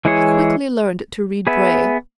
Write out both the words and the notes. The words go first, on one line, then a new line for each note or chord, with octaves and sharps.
He quickly learned to read Braille.
E3 G#3 E4 G#4 C#5
B3 G#4 B4 E5